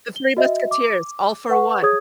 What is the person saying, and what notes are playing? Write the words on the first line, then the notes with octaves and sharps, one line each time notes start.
The Three Musketeers: "All for one."
G7
F#4 D#5 E5
D6
B4 F#5 C#6
G#4 C#5 D#6 G#6